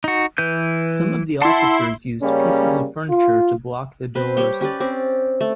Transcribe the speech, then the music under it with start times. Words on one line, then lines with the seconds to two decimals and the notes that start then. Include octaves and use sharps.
Some of the officers used pieces of furniture to block the doors.
0.04 D#4 F#4
0.38 E3 B4 G6
1.42 E4 F#5 A5 C6 C7
2.22 C#3 G3 A#3 C#4
3.09 F4
4.15 C4 B4 C5
4.37 G3 G4 C#5 G5
4.61 C#4 G4 B4 D5
4.80 C4 C#4 D5
5.40 A3